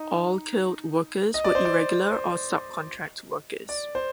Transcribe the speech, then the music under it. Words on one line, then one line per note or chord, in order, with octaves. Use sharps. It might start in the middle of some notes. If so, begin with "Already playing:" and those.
All killed workers were irregular or subcontract workers.
Already playing: D#4 D#5
D#5
D5
C5
D5
C5
C5
D5
C5